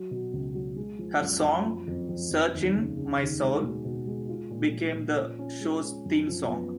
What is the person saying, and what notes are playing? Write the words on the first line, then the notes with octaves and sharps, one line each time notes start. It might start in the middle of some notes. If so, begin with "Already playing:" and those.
Her song "Searchin' My Soul" became the show's theme song.
Already playing: F#3
B2
C#2
F#3
G#3
F3
F#2
F#2
F3
F2
F2
F2
D#2
C#3
C#3
D#2
G#3
B2
B2
G#3
F4
A#2
F3
A#2
C#4
C#4
G#3
C#4
F#2
F3
B3